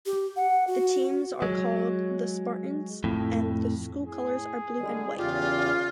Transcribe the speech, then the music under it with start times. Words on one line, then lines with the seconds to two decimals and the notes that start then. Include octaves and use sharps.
The teams are called the Spartans, and the school colors are blue and white.
0.06 G4
0.36 F#5
0.67 F#4
1.42 F#3 G#3
3.04 F2 A2
4.07 A2 G#4
4.78 D3 G3 G#3
5.18 E2 C#3 F4 G4 D5